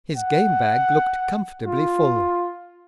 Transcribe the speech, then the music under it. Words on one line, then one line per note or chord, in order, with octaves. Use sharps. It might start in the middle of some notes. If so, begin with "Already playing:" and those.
His game-bag looked comfortably full.
F#5
F4